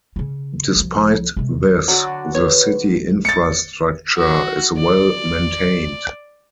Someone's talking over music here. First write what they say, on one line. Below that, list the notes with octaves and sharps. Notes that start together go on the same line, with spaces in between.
Despite this, the city infrastructure is well-maintained.
C#3 C#4
C2 F3
C3 G#3
D3 F#3 D4 F#4
B4 C#5
A6 C#7
F#4
D5